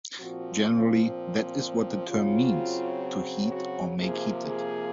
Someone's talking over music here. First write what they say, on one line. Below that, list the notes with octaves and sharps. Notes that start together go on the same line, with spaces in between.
Generally, that is what the term means: to heat, or make heated.
A#2 F3 C4 F#4
F4
C#3 F#3 C4 F4
F#4
C3 F3 A#3 G#4
G#4